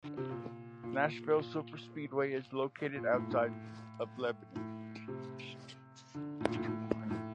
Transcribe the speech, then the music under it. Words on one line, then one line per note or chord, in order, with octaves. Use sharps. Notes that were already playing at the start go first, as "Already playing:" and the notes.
Nashville Superspeedway is located outside of Lebanon.
D3
C3
A#2
A#2
A#2
A#2
A2
A2
A2
C3
D3
A2
A#2
A2
A2
A2